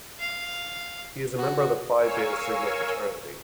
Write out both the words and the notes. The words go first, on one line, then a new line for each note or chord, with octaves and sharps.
He is a member of the Phi Beta Sigma fraternity.
F5
F#4
A#4 C#5 F5 G#5 C#6 E6